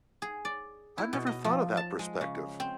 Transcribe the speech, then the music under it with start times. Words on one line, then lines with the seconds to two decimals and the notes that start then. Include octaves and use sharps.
I've never thought of that perspective.
0.22 G#4
0.45 D5
0.98 E4
1.13 B2
1.27 D#5
1.44 F3
1.77 A5
1.99 G#3
2.21 C#3
2.60 C4